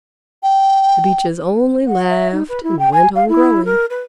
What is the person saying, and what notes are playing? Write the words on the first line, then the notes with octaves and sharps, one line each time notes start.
The Beeches only laughed and went on growing.
G5
F#5
E5
D#4
B4
E4
G5
G#5
F5
E4
A#4
B4